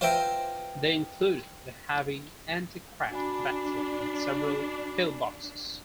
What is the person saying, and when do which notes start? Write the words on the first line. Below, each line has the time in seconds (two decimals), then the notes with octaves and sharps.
They included a heavy anti-aircraft battery and several pillboxes.
0.01 F4 B4 C5 E5 G5 A#5
3.10 D4 F#4 G#5 B5